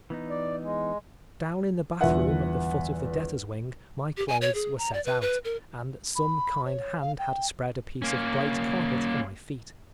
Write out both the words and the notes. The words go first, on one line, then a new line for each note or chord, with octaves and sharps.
Down in the bathroom at the foot of the debtors' wing my clothes were set out, and some kind hand had spread a piece of bright carpet for my feet.
E3 B3 D#4
D5
G#3
G1 E2 F4 B4 E5 F#5
G4
G#5
C#5
G#4
A#5
D5
B4
B4
A#4
B5
C#5
F5
G5
A#3 C#4